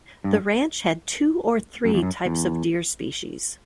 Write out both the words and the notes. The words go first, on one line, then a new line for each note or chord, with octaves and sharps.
The ranch had two or three types of deer species.
G2
F#2
E2
F#2
E2